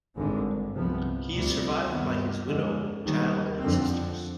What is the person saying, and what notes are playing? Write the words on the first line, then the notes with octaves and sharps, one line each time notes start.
He is survived by his widow, child, and sisters.
G#1 G2 D3 G#3
C2 C3 F3 B3
D2 C3 G3
G2 D#3 B3
F2 D3 G#3
D#2 D#3 G3
F2 D3 F3 C4